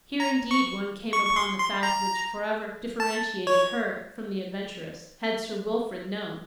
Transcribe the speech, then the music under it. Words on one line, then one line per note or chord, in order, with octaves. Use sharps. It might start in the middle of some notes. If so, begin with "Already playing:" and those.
Here, indeed, one came upon the fact which forever differentiated her from the adventuress, had Sir Wilfrid known.
A#5
C#6
C#6
C#6
C6
C6
A#5
A5
C#5